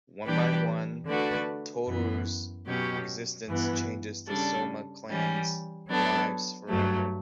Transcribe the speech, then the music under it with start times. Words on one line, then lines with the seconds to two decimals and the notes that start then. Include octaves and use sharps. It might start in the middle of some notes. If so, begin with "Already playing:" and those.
One by one, Tohru's existence changes the Sohma clan's lives forever.
0.26 E3 G3 D4 G4 B4
1.06 D3 A3 D4 F#4 B4
1.87 F#2 E3 B3
2.67 B2 F#3 C#4 G4
3.48 G2 E3 B3
4.28 C#3 G3 D4 A4
5.08 E3 G3 C#4
5.89 F#3 B3 D4 A4
6.69 G2 F#3 A3